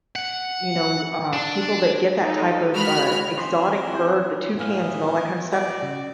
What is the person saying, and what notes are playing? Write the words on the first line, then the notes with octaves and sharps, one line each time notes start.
you know, uh, people that get that type of, uh, exotic bird, the toucans and all that kinda stuff,
F#5
D4
D#4 A4
G#3 F#4 B5 F6
E3 B3 C4 C5
D4 E4 C5
A2 E3 B3 F5
F#4 D5 D#5 F5 G#5
C#3